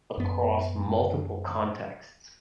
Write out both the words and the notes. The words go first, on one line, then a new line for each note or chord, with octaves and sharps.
across multiple contexts.
F#2 B3